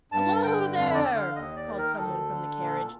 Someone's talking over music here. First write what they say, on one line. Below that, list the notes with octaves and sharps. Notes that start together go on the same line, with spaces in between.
"Hello there!" called someone from the carriage.
G2 A5
D3 G5
F2
D5
D3
F5
D#2 D#5
D5
D#3
A#4
D2 A4
D3
A#2